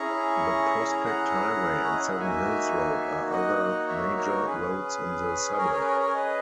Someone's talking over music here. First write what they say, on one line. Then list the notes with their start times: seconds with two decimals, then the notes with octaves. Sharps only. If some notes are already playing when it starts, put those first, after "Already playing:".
The Prospect Highway and Seven Hills Road are other major roads in the suburb.
Already playing: C#4 E4 G#4 A#5 C#6
1.05 F#5 A#5
1.83 C#5
1.91 D#5
2.01 E5
2.10 F#5
2.18 A#3 D#4 F#4 E5 G#5
3.32 D#5 F#5
3.88 C#5 E5
4.17 A#4 C#5
4.45 C#4 G#4 B4
5.58 A#4 C#5
5.72 A#4 C#5
5.81 B4
5.86 A#4 C#5
6.00 A#4 C#5
6.14 B4 D#5